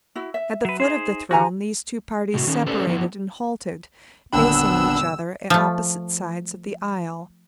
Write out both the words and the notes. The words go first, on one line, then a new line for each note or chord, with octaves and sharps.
At the foot of the throne these two parties separated and halted, facing each other at opposite sides of the aisle.
E4 F#4
E5
F#3 B4
D#4 G#4 C5
D#3 F#4 G4 G#5 A#5
A2 C3 F#4
D#3 C#4
C#4 G4 A4 B4 C5 D5
F3 B3 E4
D#1 G#1 D3 B3 D4 G5 B5 E6
F3 A3